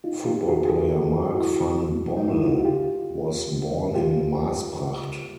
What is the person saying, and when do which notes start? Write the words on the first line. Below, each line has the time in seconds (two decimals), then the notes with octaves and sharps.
Football player Mark van Bommel was born in Maasbracht.
0.04 D#4 F4
0.26 F4 G4
0.48 F#4 G#4
0.65 G#4
0.69 G4 A4
1.34 E4 F#4
2.17 D#4
2.28 E4
2.41 F4
2.53 F#4
2.65 F4 G4
3.95 F4 G4